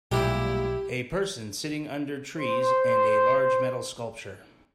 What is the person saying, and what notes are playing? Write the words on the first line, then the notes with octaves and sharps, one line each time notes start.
A person sitting under trees and a large metal sculpture.
B1 A#2 G3 G#3 E4 G4
C5 C6